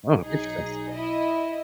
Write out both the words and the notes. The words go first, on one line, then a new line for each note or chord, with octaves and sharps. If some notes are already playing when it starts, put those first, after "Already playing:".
Oh, interesting.
B1 F#3 D#4 G#4
E4 D#5